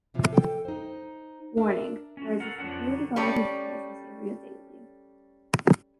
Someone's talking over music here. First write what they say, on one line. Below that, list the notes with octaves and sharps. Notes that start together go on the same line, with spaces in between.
Warning, there is a security guard who patrols the area daily.
A2 C3 F3
A4 G5
D#4 C5
D4 A#4 E5
C#4 F#4
A4 A#4 F5 F#5
F2 F3 C#4 D4 F#5
D3 D#3
G3 A3 C#4 C#5 D5